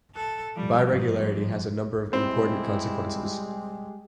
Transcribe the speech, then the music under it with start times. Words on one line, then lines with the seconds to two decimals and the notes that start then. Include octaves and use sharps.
Biregularity has a number of important consequences.
0.16 A4 F#6
0.56 F3 G3 C#4
0.90 G1 G#2 C4
2.13 G3 G#3 C4 E4 G4